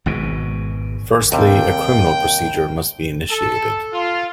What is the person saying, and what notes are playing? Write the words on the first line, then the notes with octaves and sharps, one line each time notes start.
Firstly, a criminal procedure must be initiated.
G#1 G#2 B2
D#2 C3 G3 G5
A4
F4